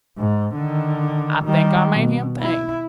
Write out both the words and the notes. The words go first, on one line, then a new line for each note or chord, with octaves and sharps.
I think I made him think.
G#2
D3 D#3
D#3 G3
B2
E4